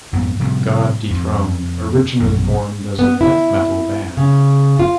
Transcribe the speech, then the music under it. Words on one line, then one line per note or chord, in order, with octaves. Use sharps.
God Dethroned originally formed as a death metal band.
F2 G#2 B3
A2 C3 F3 G3
F2
A#1 F#2 B2
B3
E4
C#3
F4